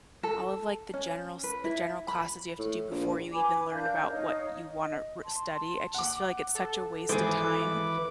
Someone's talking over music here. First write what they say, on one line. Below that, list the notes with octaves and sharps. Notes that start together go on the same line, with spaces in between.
all of, like, the general s the general classes you have to do before you even learn about what you want to r study, I just feel like it's such a waste of time,
A4
C#4
B4
E4
B5
A2
A#1
B4 G#5 B5 D6
D4 A#4 F5 G6
D#4 C#5 D#5 F5
D#5
A5 C6
F#5 D6
A4
G#1 E3 G#4 B4 C5 D6